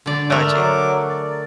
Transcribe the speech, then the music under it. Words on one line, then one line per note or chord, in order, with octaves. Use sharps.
Got you.
D3 D5
A3 A#4 D5
F#3 D6
D5